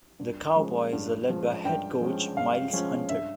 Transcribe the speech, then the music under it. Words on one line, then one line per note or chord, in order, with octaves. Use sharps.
The Cowboys are led by head coach Miles Hunter.
G2
F3 G#3 C#4
G2
F3 G#3 C#4
G2 G5
F3 G#3 C#4
G2 F5
F3 G#3 C#4
G2 E5